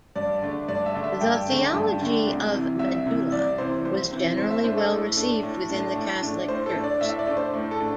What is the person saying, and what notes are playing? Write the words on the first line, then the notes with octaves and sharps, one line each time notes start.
The theology of "Medulla" was generally well received within the Catholic Church.
G2 D5
D3 A3 D4
G2 D5
E5
D3 A3 D4
E5
G2 G5
D3 A3 D4
G2
D3 A3 D4
C2
C3 E3
C2 E5
C3 E3
C2 D5
C3 E3 C5
C2 C5
C3 E3
A2 C5
E5
A3 D4 C5
A4
A2
A3 D4
A2
A3 D4
A2
A3 D4
A2 C5
A4
A3 D4
D5
A2 E5
D5
A3 D4
C5
A2
A4
A3 D4